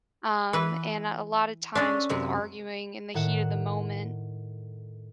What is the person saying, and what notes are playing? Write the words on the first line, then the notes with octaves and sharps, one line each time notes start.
um, and at a lot of times with arguing in the heat of the moment,
E3 B4
C#4 D4 A4 E5
F#2 C3 G#3
A2 D#3 F#5 F#6 E7